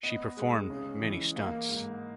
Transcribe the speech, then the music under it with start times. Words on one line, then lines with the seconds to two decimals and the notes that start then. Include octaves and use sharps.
She performed many stunts.
0.03 B3 D#5
0.37 G#3
0.70 C#3
1.03 E3
1.36 A#3
1.69 G#2